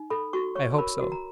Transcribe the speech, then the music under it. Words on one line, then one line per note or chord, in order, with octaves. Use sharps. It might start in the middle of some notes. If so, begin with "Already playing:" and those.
"I hope so."
Already playing: D#4
A4 B5
F#4 C#6
C#5 C#6
A#4 B5
F#4
A#5